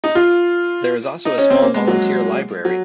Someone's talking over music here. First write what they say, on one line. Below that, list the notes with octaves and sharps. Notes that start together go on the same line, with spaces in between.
There is also a small volunteer library.
D#4
F4
D#4
C#4
C4
A#3
G#3
F#3
F#3